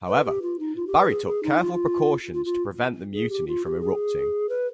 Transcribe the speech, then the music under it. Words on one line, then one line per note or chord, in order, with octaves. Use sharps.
However, Barry took careful precautions to prevent the mutiny from erupting.
B4
G4
F4
D#4
F4
G4
B4
G#4
G#4
D#4
F4
F4
F4
G#4
G4
F4
G4
G#4
B4